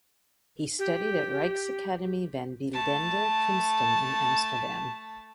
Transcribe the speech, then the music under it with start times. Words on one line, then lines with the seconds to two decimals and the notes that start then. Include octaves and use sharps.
He studied at Rijksakademie van beeldende kunsten in Amsterdam.
0.79 G4
2.73 A3 A5